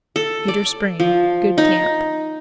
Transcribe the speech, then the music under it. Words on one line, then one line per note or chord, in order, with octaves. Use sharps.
Cedar Spring.--Good camp.
A4
D5
F3
D#4